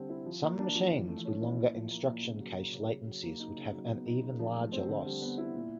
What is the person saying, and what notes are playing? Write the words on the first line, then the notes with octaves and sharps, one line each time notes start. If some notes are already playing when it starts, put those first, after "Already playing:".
Some machines with longer instruction cache latencies would have an even larger loss.
Already playing: D3 G3 C4
E4
F3
A#3
D4
F3
E3
A3
C#4
E4
A#2
F3
A#3
A#2
C#3
F#3
A#3
C#3
C#3
F#3
A#3
D#4
C#3
F#3
B3
D#4
C#3
F3
A3
C4
D3
G3
B3
E4
A#2